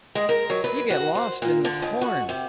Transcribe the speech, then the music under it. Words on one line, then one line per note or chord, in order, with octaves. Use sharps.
You get lost in the corn.
G#3
A#4
F#3
B4
F#4
C5
A#2
D3
D#2
F#4
C3